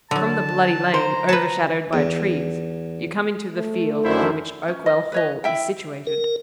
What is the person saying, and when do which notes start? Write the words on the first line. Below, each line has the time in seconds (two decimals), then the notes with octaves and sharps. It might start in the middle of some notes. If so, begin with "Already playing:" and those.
From the "Bloody Lane," overshadowed by trees, you come into the field in which Oakwell Hall is situated.
0.11 D3 F#3 A5
0.94 C5 A#5
1.29 B4 A5
1.93 E2
3.55 A3
4.03 F#2 D3 D#3 E4 C5 E5
4.68 C#4
4.86 D#5
5.12 B4 C#5 D#5
5.44 E4 E5 G5
6.07 A#4